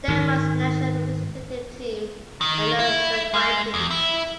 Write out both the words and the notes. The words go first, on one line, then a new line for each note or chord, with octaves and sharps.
Denmark's national representative team are known as the Vikings.
G#2 D#3
D#3
E4
G#3
E2
E4